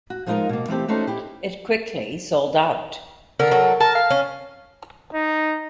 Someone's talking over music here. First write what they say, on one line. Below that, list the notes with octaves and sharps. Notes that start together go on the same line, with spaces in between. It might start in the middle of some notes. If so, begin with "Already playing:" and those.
It quickly sold out.
F#4
F3 G#3 D#4 F4 A#4 D#5
B2 A#3
E3 A3 C4 G4
A3 C#4 D#4 F#4 A4 C5
E4 G4
D3 A4 A#4
F#3 A4
A#4 A5
F5
C#4
D#4